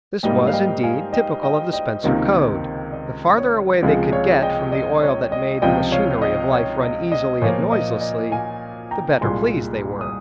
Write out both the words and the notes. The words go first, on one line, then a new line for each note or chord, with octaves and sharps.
This was, indeed, typical of the Spencer code--the farther away they could get from the oil that made the machinery of life run easily and noiselessly, the better pleased they were.
G#2 G3 A#3 D#5 G5
F5
D#5 G5
F5 G#5
D#5 G5
D#5 G5
D#5 G5
C#2 C3 D#3 A#3
D#5
C#5
C#2 C3 F3 G#3
C#5 F5
D#5 G5
D#5
C#5
D#5
C#2 C3 F3 D#5 G5
C#5 F5
D#5
C#5
D#5
D#5
A#2 F3 A#3 C#5
D#5
D#5
F5 G#5
G5 A#5
C2 A#2 G#3 G#5 C6
D#6